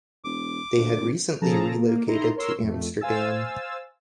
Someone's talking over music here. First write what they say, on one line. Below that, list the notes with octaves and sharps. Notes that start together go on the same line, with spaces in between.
They had recently relocated to Amsterdam.
E1 D6
D2
G#1
C#3 F3 G#4 A4 A5 A#5
A#3
D#4 E4 A#5 C6
A#4 C#5 C6 E6
F2 A3
C5 F5 G#5 E6 A6